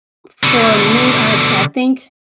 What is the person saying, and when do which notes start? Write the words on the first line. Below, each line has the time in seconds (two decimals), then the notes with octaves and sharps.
for me, I I think
0.43 B2 D3